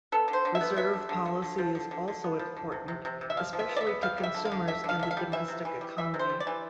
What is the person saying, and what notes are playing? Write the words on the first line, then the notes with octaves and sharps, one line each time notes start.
Reserve policy is also important, especially to consumers and the domestic economy.
B3 A4
D3
C5
D3
E5
B3
B3 E5
D3
D3
D3
D3
F3
D3
D3
D3
B3
F3
D3
C3
C3
C3
C3
E5
F3 F5
F3
E5
B3
D5
E5
B3
G3 F5
G3
E5
D3
F5
D3
D3 E5
D3 F5
D3 E5
F5
G3
E3 E5
C3
E3
G3
E3 E5
C3
C5
G3
D5
E3